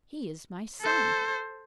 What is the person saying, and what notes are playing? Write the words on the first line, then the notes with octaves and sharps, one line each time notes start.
He is my son.
A4 C5